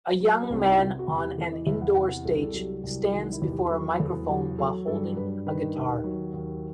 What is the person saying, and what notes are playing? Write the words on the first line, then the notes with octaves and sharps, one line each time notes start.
A young man on an indoor stage stands before a microphone while holding a guitar.
F#3
B3
C2 C4
D#4
E4
C3 F#4
F#4
E2
G4
E3 A4
D#5
E2 E5
F#5
C3 F#5
C2 A4
A4
F#3 G4
C2
D#3 F#4
E4
E2
G4
F#3 A4
E2 A4
F#3 G4
F#3 A4
G2 A4
G2 B4
D#3 B4
D#2
F#3
D#2